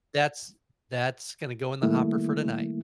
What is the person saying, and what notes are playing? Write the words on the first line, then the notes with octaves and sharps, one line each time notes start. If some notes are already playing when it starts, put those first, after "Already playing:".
"That's that's gonna go in the hopper for tonight."
D#3 G3 A3 A#3 E4